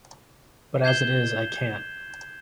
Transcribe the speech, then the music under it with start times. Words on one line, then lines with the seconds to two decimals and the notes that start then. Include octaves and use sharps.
But as it is I can’t.
0.84 G6 G#6 C7 E7 G7